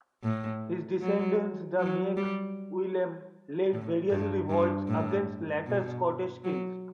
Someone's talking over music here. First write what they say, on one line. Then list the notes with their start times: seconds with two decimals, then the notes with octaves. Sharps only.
His descendants the Meic Uilleim led various revolts against later Scottish kings.
0.23 A2
1.01 F#3
1.79 F#3
2.17 G3
3.73 A2
4.11 G2
4.50 G2
4.88 A2
5.66 B2
6.44 F#3